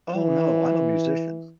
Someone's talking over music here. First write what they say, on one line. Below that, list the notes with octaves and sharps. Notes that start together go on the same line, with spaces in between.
Oh, no, I'm a musician.
E3